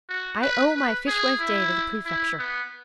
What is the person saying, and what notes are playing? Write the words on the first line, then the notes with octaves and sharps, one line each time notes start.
"I owe my fishwife day to the prefecture."
F#4
B4
B4
G#4
E4
E4
B3